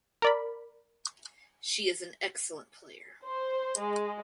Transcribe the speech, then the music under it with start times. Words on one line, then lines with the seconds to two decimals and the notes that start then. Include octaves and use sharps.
She is an excellent player.
0.22 A#4 D5 B5
3.23 C5
3.78 G#3